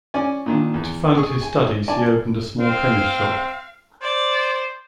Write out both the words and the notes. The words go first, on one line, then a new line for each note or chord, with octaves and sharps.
To fund his studies he opened a small chemist shop.
C#4 D5 G#5
A#2 D#3 D4
E2
G#4 C#6
G#5
D5 G#5 A5
C4 F5
C5 D5